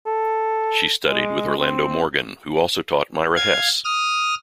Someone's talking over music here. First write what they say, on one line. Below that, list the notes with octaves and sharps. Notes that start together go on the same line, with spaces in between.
She studied with Orlando Morgan, who also taught Myra Hess.
A4
G#3
C4
F5 G#6
D#6 F6